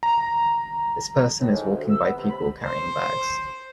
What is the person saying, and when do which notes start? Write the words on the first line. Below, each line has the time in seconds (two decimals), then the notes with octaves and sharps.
This person is walking by people carrying bags.
0.03 A#5
1.40 A2
1.53 G#2
1.71 D2
1.90 E6
2.03 B3
2.17 C3
2.30 B5
2.62 C5